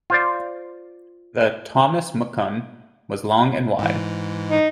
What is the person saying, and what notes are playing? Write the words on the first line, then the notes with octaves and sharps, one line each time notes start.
The "Thomas McCunn" was long and wide.
F4 C5 D5
G#2 E3
D#4